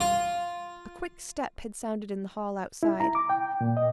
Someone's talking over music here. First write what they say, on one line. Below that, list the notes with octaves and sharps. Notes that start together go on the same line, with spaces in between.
A quick step had sounded in the hall outside.
F4
E4
A#5
D6
G5
A#2
D#5